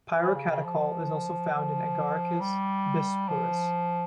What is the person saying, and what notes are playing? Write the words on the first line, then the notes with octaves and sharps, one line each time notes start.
Pyrocatechol is also found in "Agaricus bisporus".
E3
C#3
C#3
F3
F3
G3
F3